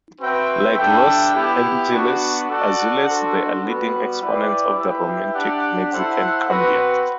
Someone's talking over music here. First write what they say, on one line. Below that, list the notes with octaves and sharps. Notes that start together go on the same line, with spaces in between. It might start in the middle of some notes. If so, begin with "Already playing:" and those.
Like Los Angeles Azules, they are leading exponents of the romantic Mexican cumbia.
C4 F#4 B4 E5 G5
G3 D4 A4 E5 G5
B3 E4 G4
B3 D4 F#4
F#4 A4 D5 F#5
D4 F#4 A4 C5
G3 B3 F#4 B4
E4 B4 D5 G5
E4 G4 B4 E5 G5
D4 G4 D5 F#5
E4 A4 C5 F#5
C4 F#4 B4